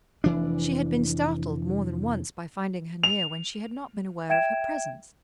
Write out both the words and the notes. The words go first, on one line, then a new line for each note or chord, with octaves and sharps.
She had been startled more than once by finding her near when she had not been aware of her presence.
F1 E3 D4
F7
E5 G5 G#6 D7 E7